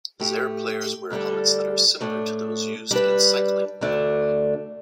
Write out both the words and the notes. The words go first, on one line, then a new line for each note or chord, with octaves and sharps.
Xare players wear helmets that are similar to those used in cycling.
A2 A3 G4
D2 D3 G3 D4 A4
A2 A3 D4
G3 D4 B4
D2 D3 A3 D4